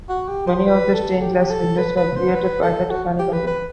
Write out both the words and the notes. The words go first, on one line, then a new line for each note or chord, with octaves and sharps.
Many of the stained glass windows were created by the Tiffany Company.
F#4
G4
C5
B4
A4
G4
A4
B4
B4
C5
B4
A4
F#4
G4
B4
B4